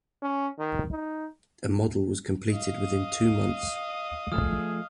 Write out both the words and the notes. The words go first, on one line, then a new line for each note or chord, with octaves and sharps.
A model was completed within two months.
C#4
D#3
D#4
D#5 F5 D#6
F3 A3 G#4 D#6 F6